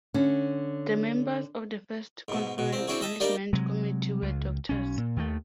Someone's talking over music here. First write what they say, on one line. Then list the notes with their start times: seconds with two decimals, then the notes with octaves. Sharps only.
The members of the first conference management committee were Drs.
0.14 D3 C#4
2.28 G#2 B2
2.58 B2
2.73 C2 C4
2.87 C4 D4 E4 F#4 G#4
3.01 D#5 E5 A5
3.20 G3 A#3 D4 D#4 G4 D5
3.53 C3 F#3 G#3
4.22 C#2
4.69 B1 C#4
4.98 A#2
5.16 D#2 D#3 E3 A3